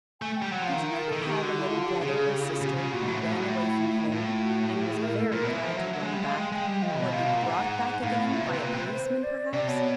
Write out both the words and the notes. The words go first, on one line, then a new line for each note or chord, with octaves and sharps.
Did you ever have a little brother or sister who ran away from home, and was very glad to run back, or be brought back again, by a policeman, perhaps?
A3 G#5
G5
G3
F#3 F#5
F3 F5
D#3
A#4
D#3 A4
E3
D#3 G4
D3 F#4
E4
F4
G4
C#3 G#4
G4
E4
F4
C#3 G4
F4
C#3
F4
A#2 F#4
G#2
A2
A2
G#2
A2
E4
F4
E4
A2 F4
F#4
G4
G#4
A#4
A4
A#2 A#4
B2 E5
E3
F3
F#3
F#3
G#3
G3
G#3 F5
G#3 G5
G#3 G5
G3
F3 D#5
B2
C3 F5
B2
A#2
G#2 F#5
A2 F5
A#2 E5
C3
B4
C3
A#2 B4
C3
C5
D5
C3 D5
B2 C#5